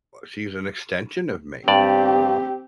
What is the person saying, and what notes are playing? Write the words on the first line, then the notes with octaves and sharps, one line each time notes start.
she's an extension of me.
G2 C4 G4 D5